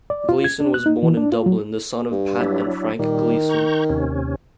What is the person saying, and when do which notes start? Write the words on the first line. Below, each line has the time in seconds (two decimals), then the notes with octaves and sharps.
Gleeson was born in Dublin, the son of Pat and Frank Gleeson.
0.10 D5
0.29 F4
0.44 G#6
0.60 D4
0.74 F#6
0.86 D#4
1.03 E3
1.17 D4
1.32 F4
1.46 F#3
2.12 G2
2.40 F#3 D4 E4
2.99 A#2 D#3 G3
3.49 A#5 C#6 G6
3.90 D#2 C3 C#4